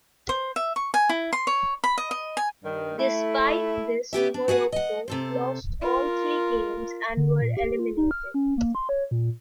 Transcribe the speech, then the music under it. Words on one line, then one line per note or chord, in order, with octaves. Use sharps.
Despite this, Morocco lost all three games and were eliminated.
C5
E5
C#6
G#5
E4
C6
C#5
B5
D#5
D#5
G#5
G2 D#3
A3 E4
C#3 B3 G4 E5
D4
F#4 G#4 B4 F#5
D#5 F#5
C3 A4 C5
F4 A#4
D3
A#2
G4
F4
D#4
F6
C#4
A#3
C6
C#5
A#2